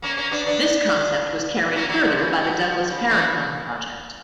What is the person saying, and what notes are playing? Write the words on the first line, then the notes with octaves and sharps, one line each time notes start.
This concept was carried further by the Douglas Paracone project.
A#3 C#4
A#3 C#4
B3 D4
B3 D4
A#3 C#4
F#3 A#3
D3
C#3
B2
C#3
C#3 E3